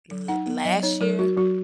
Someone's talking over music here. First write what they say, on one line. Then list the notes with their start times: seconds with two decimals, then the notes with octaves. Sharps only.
l last year
0.11 F#3
0.28 D#4 F#5
0.47 B3
0.65 F#3 D#5
0.83 D#4 C#5
1.01 F#3 A#4
1.19 F#3 F#4
1.37 F#3 F#4